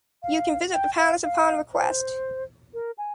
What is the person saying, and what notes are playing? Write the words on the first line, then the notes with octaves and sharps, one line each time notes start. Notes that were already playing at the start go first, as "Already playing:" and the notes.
You can visit the palace upon request.
F5
G5
F5
F5
C5
A#4
G#5